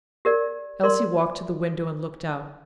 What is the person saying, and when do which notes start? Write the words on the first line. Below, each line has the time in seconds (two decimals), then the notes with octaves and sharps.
Elsie walked to the window and looked out.
0.25 G4 A#4 D5
0.83 A#4 D5 C6